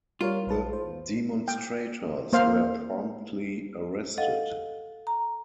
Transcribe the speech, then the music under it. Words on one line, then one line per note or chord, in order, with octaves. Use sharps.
The demonstrators were promptly arrested.
G3 F4 A#4 C#5
A#1 B4 A5
C5
G5
A#3 C5 F5
A4 D#5 F5 F#5
A#5